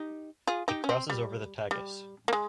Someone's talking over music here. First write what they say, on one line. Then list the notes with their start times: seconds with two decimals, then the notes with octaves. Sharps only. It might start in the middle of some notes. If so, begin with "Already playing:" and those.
It crosses over the Tagus.
Already playing: D#4 G4
0.47 F4 G#4
0.68 D#4 G4
0.84 C#4
0.89 C4
1.10 G3
1.71 G3
2.28 A#3
2.33 G#3